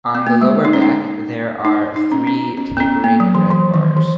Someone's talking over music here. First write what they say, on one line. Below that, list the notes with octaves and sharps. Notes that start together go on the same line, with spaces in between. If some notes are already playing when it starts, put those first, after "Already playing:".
On the lower back there are three tapering red bars.
B3
A#3
G#3
D#4
C#4
D#4
D#4
D#4
C#4
C#4
C#4
B3
C#4
A#3
F#3
E3
E3
D#3
E3